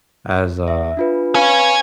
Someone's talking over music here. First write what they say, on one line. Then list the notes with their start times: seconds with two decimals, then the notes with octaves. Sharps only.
as, uh,
0.68 E5
0.97 D4 F4 B4
1.35 B4 C#5 F5 G#5 B5